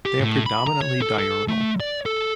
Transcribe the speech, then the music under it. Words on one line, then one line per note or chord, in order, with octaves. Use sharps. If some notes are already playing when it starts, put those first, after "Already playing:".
They are predominantly diurnal.
G4
A2
B5
A#5
C#5
A4
A4
A3
D5
A4